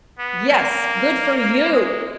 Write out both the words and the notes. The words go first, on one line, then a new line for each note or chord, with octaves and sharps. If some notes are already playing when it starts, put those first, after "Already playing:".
Yes, good for you
B3
A#3
G#3